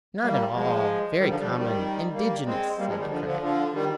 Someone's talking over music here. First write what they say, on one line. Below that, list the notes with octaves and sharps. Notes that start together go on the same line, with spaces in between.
"Not at all; very common; indigenous," said De Craye.
G3 A#3
F3 G#3
D#3 G3
D3 F3
G3
F3
D#3 G3
G3 A#3
G#3 C4
G3 A#3
F3 G#3
D#3 G3
D3 F3
D3 F3
D3 F3
D#3 G3